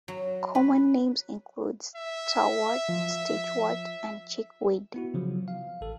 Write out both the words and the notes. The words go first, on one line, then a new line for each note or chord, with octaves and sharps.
Common names include starwort, stitchwort and chickweed.
F#3
B4
E5
F3
B3 E4 F#4
C#3 F3 F#3
F5
A1 A4